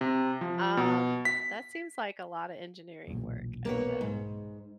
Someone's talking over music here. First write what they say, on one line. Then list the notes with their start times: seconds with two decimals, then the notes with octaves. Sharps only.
um, that seems like a lotta engineering work. I don't know.
0.01 C3
0.41 F3
0.77 B2
1.25 B6
3.07 E1 B1 A#2
3.65 A#3 B3 C#5
4.01 G#2